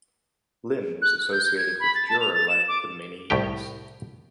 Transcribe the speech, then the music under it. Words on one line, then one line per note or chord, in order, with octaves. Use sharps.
Lynn was associated with Dur-O-Lite for many years.
F#6
F#6
G6
G6
G#6
B5
A6
A5
F7
A6
E7
D6
C2 A2 G4 G5